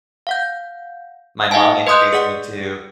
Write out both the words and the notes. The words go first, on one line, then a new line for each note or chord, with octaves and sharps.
my mom introduced me to.
F5 F#5 G6
D#4 D#5 F5 F#5 G#5 A5
B4 D#5 C6 D#6 F#6 G6
G#4 D5 F#5